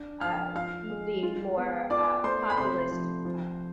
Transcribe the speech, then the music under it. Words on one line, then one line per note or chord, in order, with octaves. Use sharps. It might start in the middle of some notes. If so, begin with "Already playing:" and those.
uh, mm, the more, uh, populist, uh,
Already playing: D4
F3 F5 F6
F4 F5 F6
G#3
F4
B3
F4 D5 D6
A3 C5 C6
B5
C3 C5 C6
F3
F3